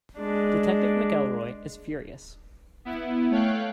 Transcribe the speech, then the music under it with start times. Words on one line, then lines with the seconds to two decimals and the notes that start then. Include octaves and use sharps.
Detective McElroy is furious.
0.18 G#3 D4
2.85 B3 E4
3.30 A3 C#5 F5 G5 F#6